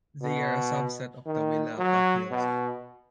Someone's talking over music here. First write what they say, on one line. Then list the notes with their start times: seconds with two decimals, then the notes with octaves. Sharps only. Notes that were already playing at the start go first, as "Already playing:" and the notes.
They are a subset of the Willapa Hills.
0.22 B2
1.26 D#3
1.78 F#3
2.31 B2